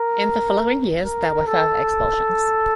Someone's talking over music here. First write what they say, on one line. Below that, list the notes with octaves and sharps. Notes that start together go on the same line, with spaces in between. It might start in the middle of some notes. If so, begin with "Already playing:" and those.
In the following years there were further expulsions.
Already playing: A#4
A#4
A4